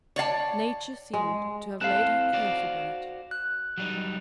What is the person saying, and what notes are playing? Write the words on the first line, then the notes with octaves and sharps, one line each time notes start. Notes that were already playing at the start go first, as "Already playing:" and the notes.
Nature seemed to have laid her curse upon it.
C#5 D5 F5 A5
G#3
C4 E4 A4 F5 F#6
F#4 C5 D5
F#6
F#3 G3 D#4